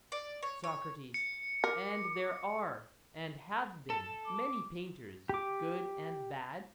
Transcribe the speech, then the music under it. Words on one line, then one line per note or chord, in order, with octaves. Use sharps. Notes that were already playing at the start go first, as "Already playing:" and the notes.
SOCRATES: And there are and have been many painters good and bad?
D5
C#5
C#5
C#7
A#4 D6
A4
D6
G4 D6